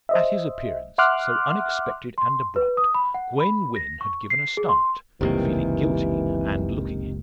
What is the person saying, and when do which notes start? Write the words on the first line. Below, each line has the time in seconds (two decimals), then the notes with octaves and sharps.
At his appearance, so unexpected and abrupt, Gwen Wynn had given a start--feeling guilty, and looking it.
0.09 C5 D#5 E5
0.98 E5 F#5 C6 D6 F6 F#6
2.18 C6
2.56 B4
2.77 D#6
2.94 B5
3.14 F#5
3.40 B5
3.76 A#6
4.01 C#6
4.30 C7
4.57 G#4
4.69 C6
5.21 F#1 C#2 C3 D#3 E3 G3 A#3